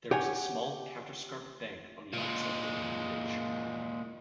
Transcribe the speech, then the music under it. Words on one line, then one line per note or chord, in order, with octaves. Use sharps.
There is a small counterscarp bank on the outside lip of the ditch.
G4 C#5 F#5 G#5
A#2 G#3